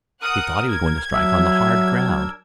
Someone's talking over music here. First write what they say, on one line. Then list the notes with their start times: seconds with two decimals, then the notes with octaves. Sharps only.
He thought he was going to strike on the hard ground.
0.22 A#4 F#5 D#6 F#6
0.69 G#6
1.14 F#3 D4 A#4 E5 E6